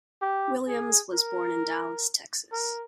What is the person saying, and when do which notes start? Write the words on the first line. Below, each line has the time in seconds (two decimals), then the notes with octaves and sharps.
Williams was born in Dallas, Texas.
0.22 G4
0.68 G#4
1.13 A#4
2.52 A#4